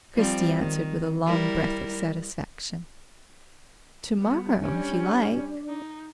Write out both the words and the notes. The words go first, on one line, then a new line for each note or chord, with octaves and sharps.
Christie answered with a long breath of satisfaction: "To-morrow, if you like."
F3 G3 C4
D#3
G3 E4 A#4
G3 B3
G3 C#4 D4
D#4